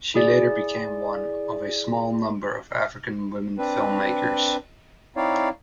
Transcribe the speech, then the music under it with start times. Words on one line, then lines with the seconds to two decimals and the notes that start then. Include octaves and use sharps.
She later became one of a small number of African women film makers.
0.14 E4 G#4 D5
3.58 C4 D4 B4
5.17 C4 D#4 E4 C#5 D5 F5